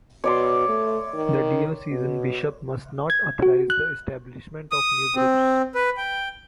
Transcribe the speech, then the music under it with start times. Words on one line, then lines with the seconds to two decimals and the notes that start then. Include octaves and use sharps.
The diocesan bishop must not "authorize the establishment of new groups".
0.24 B2 C#5 D5 C6
0.68 A3
1.14 D#3
1.91 B2
3.10 G#6
3.42 F#4
3.70 F#6
4.72 D#6
5.16 C4
5.75 B4
5.97 G5